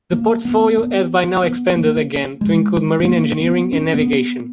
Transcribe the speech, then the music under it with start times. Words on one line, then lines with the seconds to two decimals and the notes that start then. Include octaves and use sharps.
The portfolio had by now expanded again to include marine engineering and navigation.
0.12 A#3
0.45 B3
0.78 B3
1.43 B3
1.76 A#3
2.41 G#3
3.03 B3
3.07 A#3
3.40 B3
3.73 C#4
3.94 B3